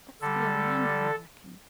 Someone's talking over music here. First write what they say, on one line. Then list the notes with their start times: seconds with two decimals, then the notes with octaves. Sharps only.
'That's beyond London, I reckon?
0.21 D3 G3 A4